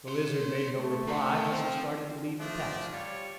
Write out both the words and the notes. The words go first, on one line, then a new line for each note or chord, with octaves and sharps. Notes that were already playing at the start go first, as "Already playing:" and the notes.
The Lizard made no reply as he started to leave the taxi.
C#5 C6
A3
C3
B3 G5
C4 F4 C5
F3 A3 D4
G3 F4 C#5